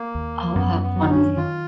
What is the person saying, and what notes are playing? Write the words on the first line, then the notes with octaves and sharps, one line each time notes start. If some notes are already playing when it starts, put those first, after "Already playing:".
Oh, how funny.
Already playing: A#3
D#2
F#2 B3
B3
F#3 D#4
C#4
D#3 F4